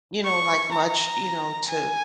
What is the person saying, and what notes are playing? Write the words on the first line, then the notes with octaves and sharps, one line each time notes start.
you know, like much, you know, to
C#6
A#5
G#5